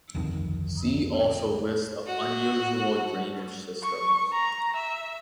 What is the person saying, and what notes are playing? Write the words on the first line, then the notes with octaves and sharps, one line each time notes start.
See also List of unusual drainage systems.
G1 C2 F2 D#3
F#4
C#6
A#5
E5